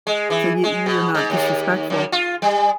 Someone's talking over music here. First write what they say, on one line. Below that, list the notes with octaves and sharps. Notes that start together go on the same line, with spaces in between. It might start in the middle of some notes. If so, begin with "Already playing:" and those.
so you you're not disrespectful.
G#3
E3
G#3
B2
G#2
D#2
F#2
F4
G3